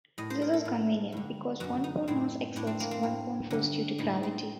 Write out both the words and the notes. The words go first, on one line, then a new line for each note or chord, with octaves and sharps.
This is convenient because one pound mass exerts one pound force due to gravity.
A2 D#5
C5
A#4
A4
A2
G2 D3
F#2 D3 F#4
D#4
A2 C4
A2 D4
C4
A#3
C4
A2
G2 D3
A2 D#4
C4